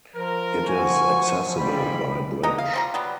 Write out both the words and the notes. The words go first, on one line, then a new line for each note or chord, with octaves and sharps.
It is accessible by bridge.
F3 A#4
F#4 G#5 C#6
F2 G#2 G3 B5
D3 D#4 D#5 A#5
F5
F3 G3 A#5
F#3 G3 B3